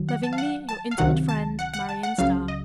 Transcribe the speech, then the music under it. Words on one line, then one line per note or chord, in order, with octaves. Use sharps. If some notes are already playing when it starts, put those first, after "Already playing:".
Lovingly, your intimate friend--Marion Starr.
Already playing: F2 D#3 F#3
F#5
A5
F5
F#5
A5
F5
C#2 C3 D#3 F#3 F#5
A5
F#5
F#5
A5
F#5
C#2 C#3 F#3 F5
D#5